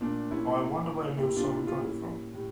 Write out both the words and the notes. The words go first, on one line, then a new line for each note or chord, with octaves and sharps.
I wonder where Neil Simon got it from?
A#2 A3 D4
C#4 E4
A#2 A3
A2 G3 A#3 E4 G4
D4 F4
E4
F4
A2 G3 A#3 C#4 E4
A2 G3